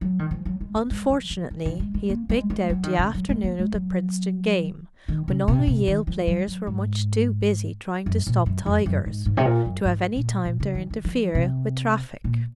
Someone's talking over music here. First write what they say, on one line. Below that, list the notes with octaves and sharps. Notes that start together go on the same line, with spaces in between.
Unfortunately he had picked out the afternoon of the Princeton game when all the Yale players were much too busy trying to stop Tigers to have any time to interfere with traffic.
F#3
D#3
F3
F#3
G#3
A#3
G#3
F3
F3
D#3
D#3
G#3
G#3
A#3
G#3
G#3
F#3
D#3
C#3
F#3
G#3
A#3
G#3
F#3
D#3
C#3
C3
C3
D#3
F3
F#3
F#3
G#2
F#2
A#2
F#2
F2
F#2
G#2
G#2
C3
A#2
F#2
G#2
A#2
A#2
C#3
D#3
D#3
F3
C3
A#2